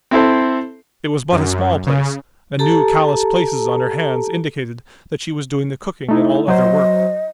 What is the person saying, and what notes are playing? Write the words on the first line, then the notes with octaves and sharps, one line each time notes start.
It was but a small place, and new callous places on her hands indicated that she was doing the cooking and all other work.
C4 E4 A4 C5
F#2
C#3
G4 A4 A5 A#5
A3 D#4 E4
F#3 C5 D#5